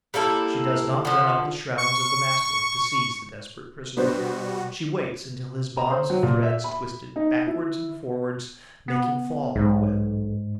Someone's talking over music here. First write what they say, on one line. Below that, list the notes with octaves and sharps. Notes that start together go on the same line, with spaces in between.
She does not run up the shrouds of the mast-work to seize the desperate prisoner; she waits until his bonds of threads, twisted backwards and forwards, make him fall on the web.
G3 A#3 E4 A4
D3 F3
C#6
B2 G3 B3 D4 F#4 C5
A#5
C5
F#3
A#2
E5
B5
D#4
E4
B3
B1 G#2